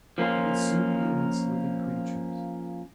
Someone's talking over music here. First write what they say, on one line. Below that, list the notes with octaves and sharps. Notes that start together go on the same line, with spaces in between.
He would soon be amidst living creatures.
F3 A#3 C#4 F4